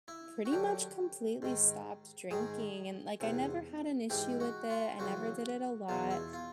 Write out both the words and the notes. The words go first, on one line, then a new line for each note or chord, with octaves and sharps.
pretty much completely stopped drinking, and, like, I never had an issue with it, I never did it a lot,
E4
F#4
F#2 D3 G4
G#2 D#3
G#2 D#3 G#4
E2 C3 E3
G#2 E3 G4
F#4
F4
F#2 C#3 E3 F#4
E2 B2 F4
E4
F4